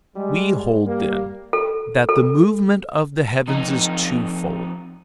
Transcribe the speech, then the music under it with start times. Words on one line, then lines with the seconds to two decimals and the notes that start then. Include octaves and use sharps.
We hold, then, that the movement of the heavens is twofold.
0.16 G3 G#3
0.86 G3 A#3
1.53 A4
2.09 A4
3.48 F2 D#4